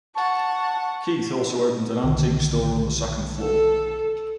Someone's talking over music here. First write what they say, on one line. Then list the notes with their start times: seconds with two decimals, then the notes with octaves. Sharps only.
Keith also opened an antique store on the second floor.
0.15 F#5 A5 C#6
2.03 B1 D3 D#3
3.38 A4